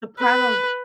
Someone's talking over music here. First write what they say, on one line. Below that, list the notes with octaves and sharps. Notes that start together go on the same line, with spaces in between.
The problem
B4